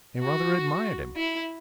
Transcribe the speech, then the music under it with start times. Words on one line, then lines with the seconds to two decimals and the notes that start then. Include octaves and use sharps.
They rather admired him.
0.20 F#4
1.16 E4